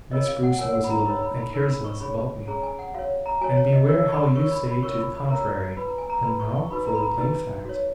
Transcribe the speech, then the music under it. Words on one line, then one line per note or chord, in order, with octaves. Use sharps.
Miss Bruce knows little, and cares less, about me; and beware how you say to the contrary!--And now for the plain fact.
F4 A#4 C#5 D#5
F5
F#5
F4 A#4 C#5 G#5
F#5
B5
A#5
D#4 A#4 C#5 B5
B5
B5
D#4 A#4 C#5 B5
B5
C#6
C#4 G#4 C#5 B5
B5
C#4 G#4 C#5 A#5
G#5
F#5
F#4 C#5 F5
A#5
F#4 C#5 G#5
C#5
D#5
F4 A#4 C#5
C#6
B5
F4 A#4 C#5 C#6
B5
B5
C#4 F4 A#4 C#5 C#6
B5
B5
C#4 F4 A#4 C#5 A#5
F4 B4 B5
A#5
G#5
A#5
F4 B4 B5
C#6
C#6
D#4 F#4 B4 B5
A#5
B5
A#5
D#4 F#4 B4
F#4 C#5